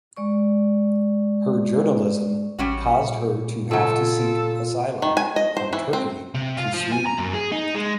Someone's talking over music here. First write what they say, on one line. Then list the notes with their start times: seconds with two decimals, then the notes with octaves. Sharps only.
Her journalism caused her to have to seek asylum from Turkey to Sweden.
0.17 G#3 D5 C#6
2.59 A1 G3 C#4 F#4
3.01 A#2
3.71 C#3 F#3 F4 A4
5.02 D#3
5.17 G#5
5.36 D#5
5.57 C5
5.73 E3
5.93 C4
6.35 C3
6.57 F4
6.74 F3
6.93 G#5
7.07 A#5
7.19 F#2
7.34 G#4
7.52 D#4
7.75 G#3